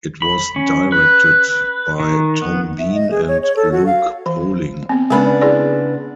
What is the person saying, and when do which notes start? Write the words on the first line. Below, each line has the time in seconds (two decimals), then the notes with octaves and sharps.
It was directed by Tom Bean and Luke Poling.
0.22 B5
0.56 C#4
0.92 B4
2.00 D#3
2.42 B3
2.79 E5
2.95 D#5
3.11 G#4
3.28 C#5
3.43 C#5
3.56 A4
3.72 F#4
3.86 F5
4.26 E3
4.89 B3 C4
5.10 C#3 G#3 B3 D4 B5
5.41 E4 G#4 D5